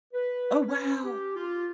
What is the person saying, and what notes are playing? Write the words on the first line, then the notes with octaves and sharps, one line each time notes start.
Oh, wow.
B4
C#4
G4
F4